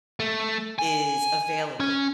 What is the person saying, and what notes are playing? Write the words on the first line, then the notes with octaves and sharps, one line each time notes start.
is available
A3
G#5
C#4